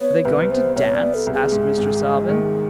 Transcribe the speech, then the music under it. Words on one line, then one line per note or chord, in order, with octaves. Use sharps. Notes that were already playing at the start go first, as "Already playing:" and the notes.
"Are they going to dance?" asked Mr. Salvin.
B3 C#5
C2 B4
B3 C5
C2 C#5
D5
B3
A4
C2
G#4
G#2
G#1
G#3
D#3